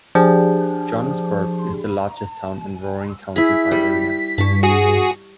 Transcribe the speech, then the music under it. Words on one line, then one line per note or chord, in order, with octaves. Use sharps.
Johnsburg is the largest town in Warren County by area.
F3 D4 G4 G#4
E4 G#4 B6
G3
G2 A5 C#6
F#4 G#4